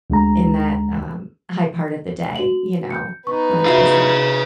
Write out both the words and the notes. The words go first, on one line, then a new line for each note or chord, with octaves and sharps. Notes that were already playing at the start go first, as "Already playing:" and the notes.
in that, um, high part of the day, you know, when it's busy.
D2 D3 G#3 A#5
F#4 F#7
G6 C#7
B3 D#4 C#6
F4 F#4 G#4 E5 F5